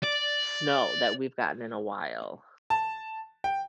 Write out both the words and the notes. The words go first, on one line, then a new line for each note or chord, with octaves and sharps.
snow that we've gotten in a while.
D5
A5
G5